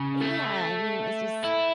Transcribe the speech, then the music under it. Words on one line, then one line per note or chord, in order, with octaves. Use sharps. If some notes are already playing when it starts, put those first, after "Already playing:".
Yeah, I mean, it was just
Already playing: C#3
A3
E4